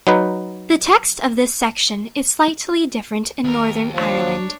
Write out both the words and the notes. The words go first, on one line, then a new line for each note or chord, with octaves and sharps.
The text of this section is slightly different in Northern Ireland.
F#3 D#4 B4
D#2 A#4
F3 D4 C#5